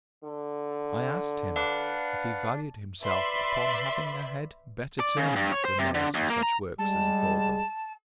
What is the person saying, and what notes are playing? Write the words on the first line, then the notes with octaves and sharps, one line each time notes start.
I asked him, If he valued himself upon having a head better turned than theirs for such works, as he called them?
D3
D4 B4 F5 F#5
B4 D5 E5 B5 C6
D5
C#3
G2
C#5
C5
C3
D3
D#2
A#3
A#5
G3 G#3 A5